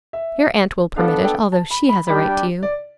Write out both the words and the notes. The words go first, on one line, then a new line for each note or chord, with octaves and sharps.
Your aunt will permit it, although she has a right to you.
E5
B3 D4 A4 F5
G5
A5
B5
B5
G3 D4 G4 B5
D5